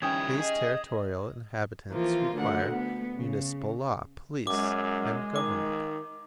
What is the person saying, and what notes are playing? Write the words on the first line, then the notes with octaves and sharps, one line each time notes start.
These territorial inhabitants require municipal law, police, and government.
D#3 G3 C#4 E4 G5 D#6 G#6
G#4 D#5
E3 F3 A#3 F4
D2 D3 F#5
B3
C#3
F#2 G#3 D6
D#3 D6